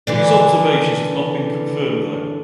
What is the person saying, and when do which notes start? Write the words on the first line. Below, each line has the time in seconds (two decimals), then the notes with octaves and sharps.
These observations have not been confirmed though.
0.07 D3 E3 D4